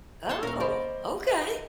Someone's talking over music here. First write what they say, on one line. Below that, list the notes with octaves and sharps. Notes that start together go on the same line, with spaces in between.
Oh, okay,
A3 C#5 A5 C6
D#1 C#4 A#4 F5 A#6
C5 D5 D#5 B5
D#5 E5